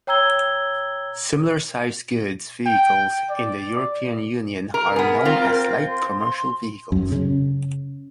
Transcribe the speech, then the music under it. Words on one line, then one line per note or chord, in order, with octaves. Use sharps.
Similar sized goods vehicles in the European Union are known as light commercial vehicles.
C#5 G5 A#5 E6 G#6 G7
G5
D5
A#4
B3 G#4 A#4
C4 F4
C6
C6
F#2
C#3